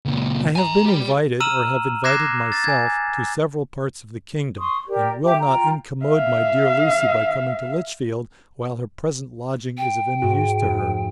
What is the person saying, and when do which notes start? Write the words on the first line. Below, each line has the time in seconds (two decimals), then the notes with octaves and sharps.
I have been invited, or have invited myself, to several parts of the kingdom; and will not incommode my dear Lucy by coming to Lichfield, while her present lodging is of any use to her.
0.05 C#2 A#2
0.56 G#5 A#5
0.85 G4 B5
1.40 A#5 E6 F6 D#7 E7 F#7
2.04 D6 F#6 G#6 A#6 C7 E7
2.52 A6
2.64 G#5 G#6
4.57 C6 C#6 D#6
4.88 G4 A#4 D5
5.24 F4 G4 E5 D6
5.40 F4 G5 A#5
6.05 E5 F5
9.78 G5
10.22 G#2 F#4
10.62 F1